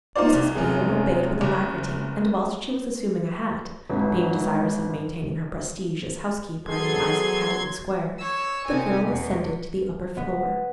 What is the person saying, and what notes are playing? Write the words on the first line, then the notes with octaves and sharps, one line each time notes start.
Mrs. Beale obeyed with alacrity and whilst she was assuming a hat--being desirous of maintaining her prestige as housekeeper in the eyes of Cadogan Square, the girl ascended to the upper floor.
D#4 F4 C5 D5
C2
F1 F#2 G#4
F#1
G1 G#2 F#3
F#3 B3 G#4 A4 C6 G#6
C#5 E6
C3 D#3 C4 G#5
E2 B2
B3